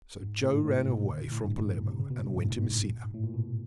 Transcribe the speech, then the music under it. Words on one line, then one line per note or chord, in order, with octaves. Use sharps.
So Joe ran away from Palermo, and went to Messina.
G#2
A2
G#2
A2
B2
C3
D3
A#2
A2
G2
G#2
A2
B2
C3
C#3
B2
G2
G#2
A2
G#2
A#2
G#2
A2
A#2
B2